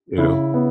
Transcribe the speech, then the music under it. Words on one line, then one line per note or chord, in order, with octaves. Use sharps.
you know,
C#3 E4
B3